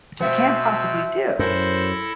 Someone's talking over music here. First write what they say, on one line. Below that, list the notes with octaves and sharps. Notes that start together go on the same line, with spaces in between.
Which I can't possibly do.
B2 C4 C5 E5 F#5
F#2 E4 A4 A#4 C5 A#6